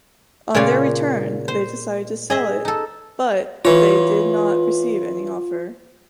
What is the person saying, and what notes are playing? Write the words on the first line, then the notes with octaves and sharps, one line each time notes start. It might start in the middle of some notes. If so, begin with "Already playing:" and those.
On their return, they decided to sell it, bu they did not receive any offer.
A#2 C#3 F4 C#5 D5 G#5
C5
G#4 D#5 E5
D#4 A4
E3 F4 C#5